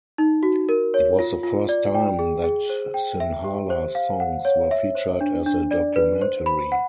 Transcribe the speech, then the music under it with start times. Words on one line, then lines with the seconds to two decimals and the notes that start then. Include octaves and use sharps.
It was the first time that Sinhala songs were featured as a documentary.
0.18 D#4
0.43 F#4
0.69 A#4
0.94 C#5
1.19 F4
1.43 F4
1.69 D5
1.94 G5
2.19 G#4
2.44 G#4
2.70 C5
2.94 G5
3.20 E5
3.44 G4
3.70 C5
3.95 F5
4.20 F#5
4.45 C#5
4.71 E5
4.95 C5
5.21 D4
5.46 D4
5.71 D5
5.96 B4
6.21 C5
6.46 B5
6.72 F#5